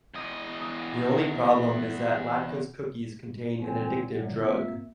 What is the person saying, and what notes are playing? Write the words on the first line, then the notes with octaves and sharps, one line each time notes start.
The only problem is that Latka's cookies contain an addictive drug.
E2 D#5
C#2 A#2 E3 C4 F4 G#5
A#1 F#2
A#3 C4 F4 E5